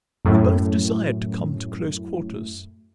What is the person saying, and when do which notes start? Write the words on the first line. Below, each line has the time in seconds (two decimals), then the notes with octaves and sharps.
We both desired to come to close quarters.
0.25 F#2 A2